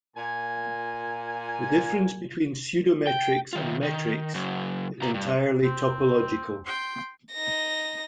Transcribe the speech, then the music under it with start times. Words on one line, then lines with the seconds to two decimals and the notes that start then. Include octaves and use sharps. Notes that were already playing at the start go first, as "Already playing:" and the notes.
The difference between pseudometrics and metrics is entirely topological.
0.15 A#2 G#5
3.07 G5
3.53 D#3 F4
3.83 D#3
4.35 C#3 F#3
5.02 B2 A#5
5.14 G2
5.64 C4
6.65 G5 C6
7.33 D#4 A#6